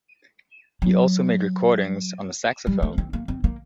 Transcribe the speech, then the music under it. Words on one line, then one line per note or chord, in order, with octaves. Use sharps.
He also made recordings on the saxophone.
F#3
G3
A3
C4
A#3
C4
A#3